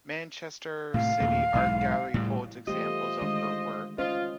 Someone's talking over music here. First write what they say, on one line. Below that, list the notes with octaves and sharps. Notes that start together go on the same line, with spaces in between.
Manchester City Art Gallery holds examples of her work.
A2 C3 F5
D#2 A#2 A3
B1 G#2 E3
A2 G3
E3 A3 F4 G4 C5 D#5
D#3 G#3 D4
C#4 F4 C5 D#5